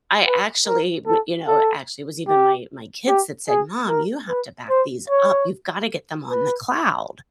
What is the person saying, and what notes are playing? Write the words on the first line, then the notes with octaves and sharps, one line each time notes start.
I actually, w you know, actually, it was even my my kids that said, "Mom, you have to back these up. You've gotta get them on the cloud."
B4
A#4
A4
A4
G4
G4
G#4
A#4
B4
C5
C#5
B4